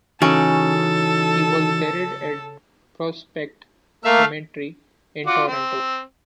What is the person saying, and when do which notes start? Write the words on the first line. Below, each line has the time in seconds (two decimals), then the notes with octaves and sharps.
He was buried at Prospect Cemetery in Toronto.
0.22 C#3 E3 D#4 F#4 A4
4.04 A3 A#3 E5 F5
5.26 F4 F#4 D5
5.47 C4